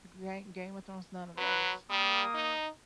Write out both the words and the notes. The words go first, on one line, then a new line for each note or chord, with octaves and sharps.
Gain Game of Thrones, none of those.
F#3 B4
G3 A#3 D#6
D#4